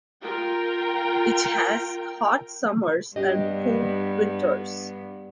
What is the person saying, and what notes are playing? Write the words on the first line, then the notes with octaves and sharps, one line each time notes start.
It has hot summers and cool winters.
F4 A#4 G5
G2 B3 D4 G4 D#5